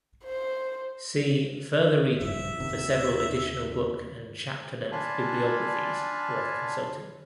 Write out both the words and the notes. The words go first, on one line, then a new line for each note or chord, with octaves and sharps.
See Further Reading for several additional book and chapter length bibliographies worth consulting.
C5
D#1 G2 F3 E5
D#2 C3 D#3
D4 F4 F5 G#5 A5 B5